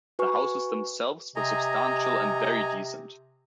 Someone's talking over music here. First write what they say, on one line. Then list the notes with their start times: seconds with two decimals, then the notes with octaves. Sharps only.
The houses themselves were substantial and very decent.
0.19 F#4 B4 G#5 C#6
1.36 C3 D#5 G#5 A#5